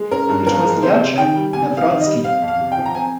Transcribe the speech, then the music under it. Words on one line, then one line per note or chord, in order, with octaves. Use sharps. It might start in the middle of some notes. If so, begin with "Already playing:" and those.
It was Jacek Nawrocki.
Already playing: G#3
C#4 A#4
G2
F3 A#4
G#3
C3 C5
C3
D#3 G5
G3
C3 G#5
C3
F5
D#3
D#5
G3
C4 F5
F2
F5
C3
G5
F3
A#5
C4 G#5